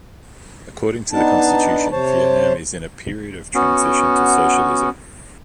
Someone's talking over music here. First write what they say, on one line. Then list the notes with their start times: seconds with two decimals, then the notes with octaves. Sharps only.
According to the Constitution, Vietnam is in a period of transition to socialism.
1.12 B3 D4 D#4 A5
1.91 C3 C5 C#5 A5
3.55 B3 C#4 F#4